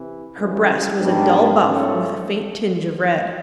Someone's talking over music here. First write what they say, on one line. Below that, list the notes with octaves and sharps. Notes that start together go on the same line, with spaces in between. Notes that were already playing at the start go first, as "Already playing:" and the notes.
Her breast was a dull buff with a faint tinge of red.
Already playing: C3 E3
F#2 C#3 E3 G3
G#2 D#3 G3 B3 D4
G#2 F3 A3 C#4